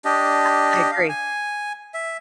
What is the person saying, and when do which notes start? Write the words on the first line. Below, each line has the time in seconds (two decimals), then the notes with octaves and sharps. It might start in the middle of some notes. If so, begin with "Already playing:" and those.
I I agree.
0.05 D4 G4 D#5
0.91 F5
1.09 G#5
1.94 E5